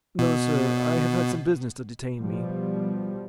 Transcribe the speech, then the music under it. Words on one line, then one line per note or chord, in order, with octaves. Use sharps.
"No, sir; I have had some business to detain me."
B2
B2 F3 G3